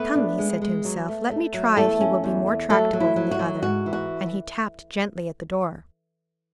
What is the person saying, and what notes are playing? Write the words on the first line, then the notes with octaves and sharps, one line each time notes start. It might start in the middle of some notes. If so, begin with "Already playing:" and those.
"Come," he said to himself, "let me try if he will be more tractable than the other;" and he tapped gently at the door.
Already playing: A3 B3 B4
D4
G#3
G#3
F#3
A3
A3
F#3
E2 A3 A4
C#4
E2
A3
F#3 A3 A4
F#3
E4
F#3
F#4
F#3
G#2 F#4
E3
F#4